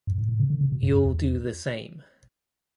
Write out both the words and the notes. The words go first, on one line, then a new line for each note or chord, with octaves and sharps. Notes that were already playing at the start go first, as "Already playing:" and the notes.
You'll do the same.
G2
A2
A2
C#3
D3
C#3
B2
G2
F#2
E2